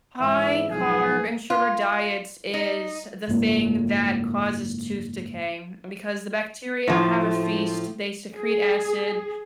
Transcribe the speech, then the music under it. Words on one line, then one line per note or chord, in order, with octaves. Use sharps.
high-carb-and-sugar diets is the thing that causes tooth decay because the bacteria have a feast, they secrete acid,
G#2 E3 E5
B1 G#2 F3 G#4
F4
D#4
F#1 G#2 A#3
A2 F3
G#4